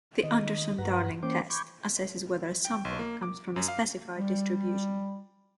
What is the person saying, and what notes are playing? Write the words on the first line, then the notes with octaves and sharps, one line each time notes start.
The Anderson-Darling test assesses whether a sample comes from a specified distribution.
D#3 D#5
G2 B4 F#5 A#5
E3 A#3 C#4 C5 G5 D6
B5 C#6 D6 G6 G#6
G5
B1
A#3
D6
F#2
F5
G3